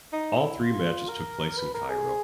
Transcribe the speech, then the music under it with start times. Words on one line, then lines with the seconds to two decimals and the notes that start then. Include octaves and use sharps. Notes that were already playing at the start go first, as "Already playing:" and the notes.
All three matches took place in Cairo.
0.13 D#4
0.36 E4
0.61 F4
1.09 A#4
1.57 B4
1.74 A#4
1.89 G#4